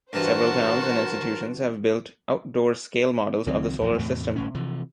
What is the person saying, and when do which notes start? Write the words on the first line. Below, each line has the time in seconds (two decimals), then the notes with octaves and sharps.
Several towns and institutions have built outdoor scale models of the Solar System.
0.13 G2 E3 F#4 A#4 C5 A5
3.46 C#2 D#3 F#3 C4
3.81 A#1 E2 G#2
3.99 E2 A2 C3 A3
4.36 G1 A2 C#4
4.54 C3 E3 F3